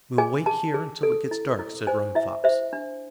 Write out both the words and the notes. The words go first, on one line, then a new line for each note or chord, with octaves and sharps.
"We will wait here until it gets dark," said Running Fox.
G#4 G#5
G#4 A5
G#4
A4
E4
E4
C5 G#5
E4 E5
C5 E5
D4